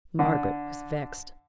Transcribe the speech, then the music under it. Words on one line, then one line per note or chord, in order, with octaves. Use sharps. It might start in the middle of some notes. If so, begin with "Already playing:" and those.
Margaret was vexed.
D3